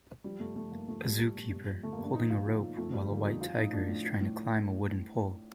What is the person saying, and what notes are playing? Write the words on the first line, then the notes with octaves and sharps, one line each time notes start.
A zookeeper holding a rope while a white tiger is trying to climb a wooden pole.
F3 G3
G2 A3
F3 A3
G2 A#3
F3 A3
A#2 G3
F3
A#2
G2
F3
D3 A3
A#3
G2
D4
F3 D#4
A#2 F4
F3 D#4
A#2
F2 A3
F3 G3
D3 A#3
F2 D#4
F3 F4
A2 D#4
F3 D4
A2
F3
A2